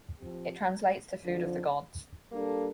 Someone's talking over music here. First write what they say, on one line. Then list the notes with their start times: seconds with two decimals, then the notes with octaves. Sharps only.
It translates to food of the gods.
0.18 F3 C4 G4
1.24 F2 D3 F3
2.32 G3 A#3 D4 A4